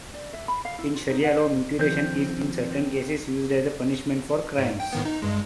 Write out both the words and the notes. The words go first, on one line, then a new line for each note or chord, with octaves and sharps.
In Sharia law, mutilation is, in certain cases, used as a punishment for crimes.
D5
E5
B5
F5
E4
F4
D#4
F#5
C5
D#3 F3 C4 G6
G#2
G5
A2 D#3 B3
D#4
G2 G#3